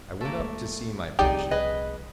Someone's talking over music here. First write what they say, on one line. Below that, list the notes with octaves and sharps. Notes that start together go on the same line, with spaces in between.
I went up to see my patient.
A3 A#3
G#3
C2 F3 D#4 G4 G#4 D5
G#4 B4 D#5